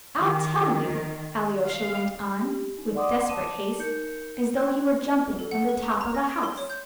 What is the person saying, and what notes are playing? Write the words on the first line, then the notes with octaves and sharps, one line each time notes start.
"I'll tell you," Alyosha went on with desperate haste, as though he were jumping from the top of a house.
D#3
F5
G4
D#4
D5 D#5 F#5 C6 D6 D#6
A5 D6 D#7 E7
D#4 A#4 G6 C#7
C6 F#6 G#6
A4
F#5
B4
A#5
A#5
A#6
D7
C6
C#5
G6